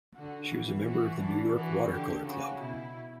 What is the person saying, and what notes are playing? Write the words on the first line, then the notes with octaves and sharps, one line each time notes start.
She was a member of the New York Watercolor Club.
D3 F#4
E3
F#4
D4
E3 F#4
D3 G4
C#3 F#4
B2 E4